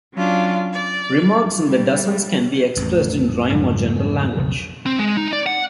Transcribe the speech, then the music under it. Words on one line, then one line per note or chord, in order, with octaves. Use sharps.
Remarks in the Dozens can be expressed in rhyme or general language.
F#3 C#4 D4 F4
D5
G3
A1 F2
F2 G#2 C#3 G3
B1 F2 C#3
C4
G#3
D#4
D5
F#5